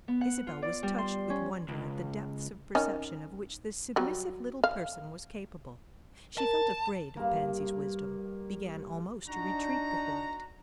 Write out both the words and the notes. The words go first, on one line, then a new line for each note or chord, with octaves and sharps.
Isabel was touched with wonder at the depths of perception of which this submissive little person was capable; she felt afraid of Pansy's wisdom--began almost to retreat before it.
B3
F#5
F4
D5
G3
C6
C#4
C#2
D#3 C#4
F#3 G3
F5
A#4 A5
G2 A#3
D4 D#4 F#4 A#5